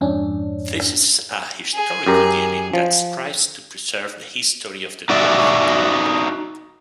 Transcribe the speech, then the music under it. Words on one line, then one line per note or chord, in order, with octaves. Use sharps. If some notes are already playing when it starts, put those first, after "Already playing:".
This is a historical unit that strives to preserve the history of the Corps.
F2 G#2 C#4 D4
G#4
F#2 G4 A#4
F3
D#4 F#4 D5 E5